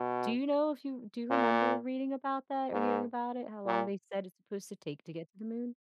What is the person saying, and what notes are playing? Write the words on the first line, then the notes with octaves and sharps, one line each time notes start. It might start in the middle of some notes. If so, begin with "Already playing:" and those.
Do you know if you do you remember reading about that or hearing about it how long they said it's supposed to take to get to the Moon?
Already playing: B2
A#2
G#2
A#2